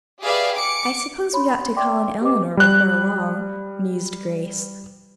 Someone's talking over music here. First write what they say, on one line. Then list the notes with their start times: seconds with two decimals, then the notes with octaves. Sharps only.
"I suppose we ought to call on Eleanor before long," mused Grace.
0.23 G4 G#4 B4 D5 E5 F5
0.56 D6 C#7 D7
1.33 C#5 B5 C6
1.76 D5 E5 G5 C6 D6
2.21 G4 B4 D#5 D6
2.57 G3 F#6